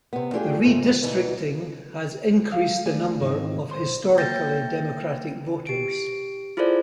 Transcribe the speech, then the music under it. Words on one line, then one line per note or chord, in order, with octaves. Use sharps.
The redistricting has increased the number of historically Democratic voters.
C3 B3
A3 D4 F4 G4 G#4 G5
F2 G#2 C3 D#3 A3
D2 B2 E3 D#4
F#3 F5
A3 D5 G#5
G#2 D#3 E3 C4 D#4
B1 C5 C6
A#3 G5 G6 A6 A#6
G4 D7
E4 F4 G#4 A4 C5 D5